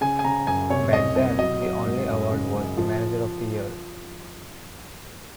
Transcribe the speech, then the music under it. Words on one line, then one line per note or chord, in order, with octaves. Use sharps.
Back then, the only award was the Manager of the Year.
C#3 G#5
G#5
C#3 A#5
F#2 G#5
C3 C#5
C2 D#5
C2
F#3 D#5
F#3
G#2
F#2
C#3
F#2
F3